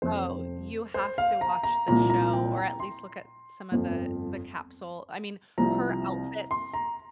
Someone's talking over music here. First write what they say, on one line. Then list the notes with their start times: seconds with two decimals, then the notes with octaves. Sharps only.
Oh, you have to watch the show, or at least look at some of the the capsule. I mean, her outfits
0.02 F1 F2 F3 C5
0.94 C5
1.18 F5
1.41 A#5
1.63 A#5
1.88 C2 A#2 F3 A#5
2.10 A#5
2.33 G5
2.57 A#5
2.80 C6
3.72 G1 F2 F3
5.58 C2 C3 F3 A#5
6.51 C6
6.74 A#5